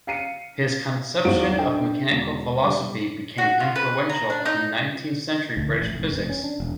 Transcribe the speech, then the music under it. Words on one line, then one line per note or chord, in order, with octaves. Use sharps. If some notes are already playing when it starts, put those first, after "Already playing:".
His conception of mechanical philosophy' became influential in nineteenth-century British physics.
F5 C7 C#7 D#7
G#1 E2 F#4 F5 D7
D4 A4 G5
E1
G3
F#4
F4
B4
A#5
D4
D#4
D2
E3
A1
F1
F1
C#4
D4
E1